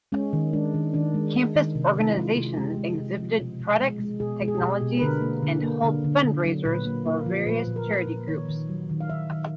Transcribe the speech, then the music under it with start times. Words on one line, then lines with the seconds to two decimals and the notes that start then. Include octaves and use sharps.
Campus organizations exhibited products, technologies, and hold fund raisers for various charity groups.
0.12 G#3 C#4
0.33 D#3
0.53 G#3 D4
0.74 D#3
0.94 D#3 D4
1.14 G#3
1.34 G#3
1.55 D#3
1.75 C3
1.96 C3 D#4
2.08 E4
2.16 G#3 F4
2.36 C3
2.57 G#3 G4
2.77 G#3
2.98 C3
3.18 F3
3.39 B2
3.59 B2
3.79 G#3
4.00 G#3
4.20 B2 G#4
4.41 G#3
4.48 G#4
4.55 G4
4.61 B2 G#4
4.82 B2
4.97 B4
5.02 D3 A#4
5.22 A#3
5.43 D3
5.63 A#3
5.83 D3
6.04 D3
6.24 D3
6.44 F#3
6.65 A#2 B4
6.85 A#3
7.06 A#3
7.26 F3
7.46 A#2 B4
7.67 A#2
7.76 A#4
7.87 F3 B4
8.07 A#2
8.28 D#3 C#5
8.49 D#3
8.69 F#3
8.90 D#3
9.01 F5
9.10 D#3 E5
9.30 D#3